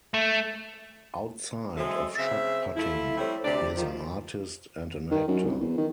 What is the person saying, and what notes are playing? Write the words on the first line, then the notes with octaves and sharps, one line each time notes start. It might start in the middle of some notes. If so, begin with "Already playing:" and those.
Outside of shot putting, he is an artist and an actor.
A3
F#3 G#3 C4 A4 E5
C#3 C4 E5
F3 A3 E4
G3 A3 C4 E4 C#5
D2 C3 G4 D5
D#3 F3
D#3
F#2
C2
E2
D#3